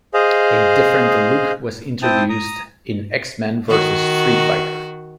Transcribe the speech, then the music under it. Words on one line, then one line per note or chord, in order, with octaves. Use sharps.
A different look was introduced in "X-Men versus Street Fighter".
G#4 C5 D#5 F5
C4 E4 G5 A5 D#6
A#5 D#6
D#3 F#4